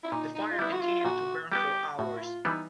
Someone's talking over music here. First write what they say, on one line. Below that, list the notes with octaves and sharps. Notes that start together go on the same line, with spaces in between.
The fire continued to burn for hours.
E4
A#2 D#4
D#4
F4
G3 B3 E4
F#4
F4
F4
A#2 F#4
G3 B3 G4
A2 F#4
E4
F4
E3 G3 B3 D#4